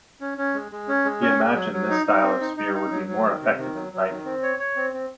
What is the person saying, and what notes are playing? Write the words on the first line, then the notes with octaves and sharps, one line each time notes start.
He imagined this style of spear would be more effective in fighting.
C#4
C#4
G#3
G#3
C#4
G#3
C#4
G#3
F#3
F#3
D#4
D#4
C4
D#4
D#4
D#4
F#3
F#3
D#3
C3
D#3
F#3
F#3
D#3
C4
C#5
C#5
C4
C4